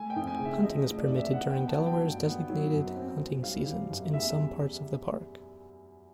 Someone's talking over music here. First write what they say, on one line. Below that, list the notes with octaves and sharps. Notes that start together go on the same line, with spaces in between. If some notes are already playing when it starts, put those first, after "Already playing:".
Hunting is permitted during Delaware's designated hunting seasons in some parts of the park.
Already playing: A3 G#5
G5
F2
G#5
C#3
E5
F3 D#5
A3
D5
F2
E5
B3 F#5
G5
B3
A5
F#3
G5
G2
B3
F#3
F#2
C4
C4
G3 F5
G3
F#2
E2 E5
G3